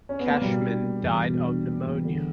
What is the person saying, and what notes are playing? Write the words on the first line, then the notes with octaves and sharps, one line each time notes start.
Cashman died of pneumonia.
C#4
B3
A#3
B2 G3
D4
A#3
E2
B2
D4
A#3
E2
D3